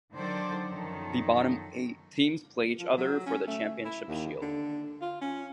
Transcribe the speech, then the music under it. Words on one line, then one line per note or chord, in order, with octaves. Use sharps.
The bottom eight teams play each other for the Championship Shield.
D3 D#3 F#3 A4 C5 D5
F#2 D#3 F3 A4 C#5
F3
F#3
C#4
A3
E4
D#2
D3
F4
C#4